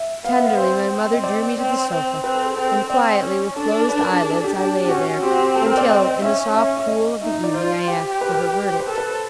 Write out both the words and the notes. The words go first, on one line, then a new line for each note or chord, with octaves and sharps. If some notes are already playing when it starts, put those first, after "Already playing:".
Tenderly my mother drew me to the sofa; and quietly, with closed eyelids, I lay there until, in the soft cool of the evening, I asked for her verdict.
Already playing: E5
B3 F5
E5
F5
C4 C5
C4
D#5
D5
C4 C#5
C4 C5
C4 B4
A4
G#4
C4 A4
A#4
C5
C4 D5
C#4
D4 A4
B4
A#4
G#4
G#4
A4
G#4
G4
D4 G4
G4
C#4 F#4
C4 G4
F#4
G4
A4
A#4
D5
D#5
C#4 E5
C#4 E5
E5
D#5
D#4 E5
D#5
D5
F4 C5
G4
B4
A#4
B4
B4
C5
B4
A4 A#4
B4
C5